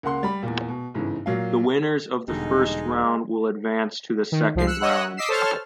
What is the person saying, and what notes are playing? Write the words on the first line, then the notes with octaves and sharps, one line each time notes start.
The winners of the first round will advance to the second round.
C#2 A#3 F#5 C6
G3 B5
E2 A#2
B2
G1 G#2 C#3 E3
A#2 F#3 F5
E1 B2 D3 G3 G#3 D#4
D#3
C2 F3 C7
E6 F#6 C#7
C#5 D#5 F#5 E6 F#6
D#5 D6 E6 B6 C7 E7
A4 C5 C#5 A5 F6